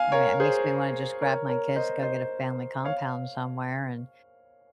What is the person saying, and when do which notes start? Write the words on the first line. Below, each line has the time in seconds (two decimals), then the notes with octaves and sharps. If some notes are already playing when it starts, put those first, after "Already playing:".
I mean, it makes me wanna just grab my kids to go get a family compound somewhere and,
Already playing: F5 G#5
0.12 A#4 C#5
0.40 G#4 C5
1.21 A#4 C#5
1.49 A#4 C#5
1.76 C5 D#5
2.03 C5 D#5
2.85 C#5 F5